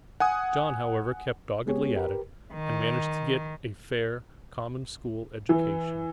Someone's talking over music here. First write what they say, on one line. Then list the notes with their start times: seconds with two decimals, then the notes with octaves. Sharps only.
John, however, kept doggedly at it, and managed to get a fair, common-school education.
0.20 F#5 G#5 D#6
1.66 G#3 B3 G4 G#4 C#5
1.96 G4 A#4 B4
2.54 D#3
5.49 E3